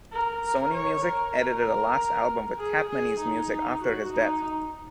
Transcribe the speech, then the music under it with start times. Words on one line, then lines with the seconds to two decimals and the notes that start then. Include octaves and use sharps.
Sony Music edited a last album with Capmany's music after his death.
0.12 A#4
0.74 C#5
1.05 A#4
2.59 G#4
2.90 G#4
3.20 D#4
3.82 F#4
4.13 D#4